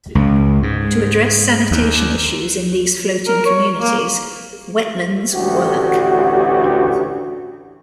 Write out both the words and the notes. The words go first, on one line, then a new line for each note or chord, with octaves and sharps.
To address sanitation issues in these floating communities, Wetlands Work!
C#2
G#2
D#2
A#4
C#5
A#3
A1 D2 E3 F#4 G4